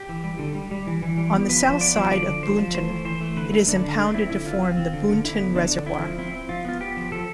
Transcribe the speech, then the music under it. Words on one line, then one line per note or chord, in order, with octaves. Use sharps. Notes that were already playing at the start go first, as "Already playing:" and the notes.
On the south side of Boonton it is impounded to form the Boonton Reservoir.
Already playing: G4
E3
G3
D3
G3
G3
E3
E3
G3
B3
F3 B4
F3 C5
B3 D5
F3 C5
D3 D5
F3
F3 C5
F3
A3 C5
E3
E3 C5
A3
D3 B4
A3
D3 D4
D3
A3 D4
C4 E4
D3 E4
C4 F4
C4
C4
D3
D3
D3 E4
B3
D3 D4
D3
C4 E4
F3
C4 E4
C4
F3 F4
B3 F4
B3 G4
F3
F3 A4